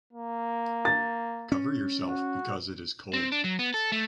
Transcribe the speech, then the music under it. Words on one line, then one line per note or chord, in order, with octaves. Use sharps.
Cover yourself because it is cold.
A#3
A6
C#4
F#4
C4
D4
F#3
B3
A4
A3